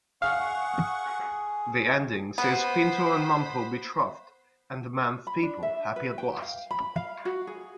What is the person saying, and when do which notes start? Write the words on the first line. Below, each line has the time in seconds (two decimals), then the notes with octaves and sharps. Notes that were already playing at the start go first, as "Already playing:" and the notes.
The ending sees Pinto and Mumpo betrothed, and the Manth people happy at last.
0.22 G#4 F5 F#5 C#6
2.38 B3 C5 B5
5.27 B5
5.43 D4
5.63 E5
5.96 B4
6.18 G5
6.42 F5
6.71 B5
6.96 F5
7.25 F#4
7.47 G#4